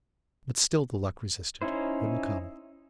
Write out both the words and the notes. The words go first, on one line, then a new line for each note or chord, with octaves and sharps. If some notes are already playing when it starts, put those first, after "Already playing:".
But still the luck resisted; wouldn't come.
C#4 D#4 E4 C5